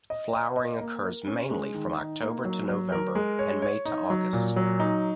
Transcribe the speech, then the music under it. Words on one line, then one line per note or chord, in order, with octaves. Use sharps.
Flowering occurs mainly from October to November and May to August.
D#5
D#5
D#5
A#3
A#4
C#4
G#3
D#3
D#4
A#3
F#3
F#3
A#4
G#3
C#5
C#5
D#4
F#3
A#2
F#3
D#4